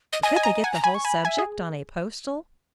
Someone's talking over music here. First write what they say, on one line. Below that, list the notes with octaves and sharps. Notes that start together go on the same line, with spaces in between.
But could they get the whole subject on a postal?
D#5
D#5 G#5
G#5
A#5
F#5 G#5
A#5
G#5 B5
C#6
G#5 B5
E5 G#5
G#4